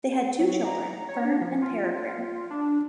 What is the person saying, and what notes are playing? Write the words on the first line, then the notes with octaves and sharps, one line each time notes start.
They had two children, Fern and Peregrine.
F#3
A#5
C#5
D4
F3
F4
D4